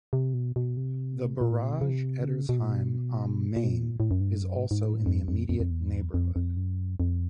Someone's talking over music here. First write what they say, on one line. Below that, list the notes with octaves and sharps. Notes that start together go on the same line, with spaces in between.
The barrage Eddersheim am Main is also in the immediate neighborhood.
C3
B2
B2
C3
A#2
A2
A#2
C3
C#3
C3
D3
C#3
B2
A#2
B2
A#2
B2
A#2
A2
F#2
G2
F#2
G#2
G#2
A2
F2
F2
F2
F2
E2
F2
F2
F#2
F2